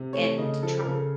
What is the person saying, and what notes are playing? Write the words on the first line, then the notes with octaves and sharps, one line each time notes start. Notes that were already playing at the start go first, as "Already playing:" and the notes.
and trying
Already playing: C3
A3 C#5
C#3 D#5
F3 A4
A#4
C#3 A4